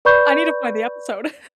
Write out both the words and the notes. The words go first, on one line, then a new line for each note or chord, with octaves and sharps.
I need to find the episode.
B4 D5 B5 C#6 G6